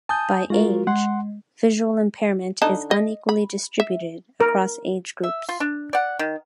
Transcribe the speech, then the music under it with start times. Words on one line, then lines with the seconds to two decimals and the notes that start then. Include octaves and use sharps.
By age: Visual impairment is unequally distributed across age groups.
0.09 G#5 A5 D#6 G6
0.50 G#3 F4 F#4 A#4
0.87 G#3 F#5 C6
2.62 D3 D#4 A5
2.91 D#5
3.29 B5
3.80 E5
4.40 A#4
5.23 E5
5.49 F4
5.60 D4
5.93 D5 F#5
6.19 D#3